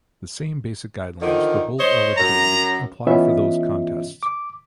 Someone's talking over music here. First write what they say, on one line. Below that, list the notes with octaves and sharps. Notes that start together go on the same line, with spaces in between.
The same basic guidelines for bowl eligibility apply for those contests.
D3 D#3 F3
C5 C#5 D#5
F#2 A#5
E3 B3 C#4 F4 D#5 E5
D6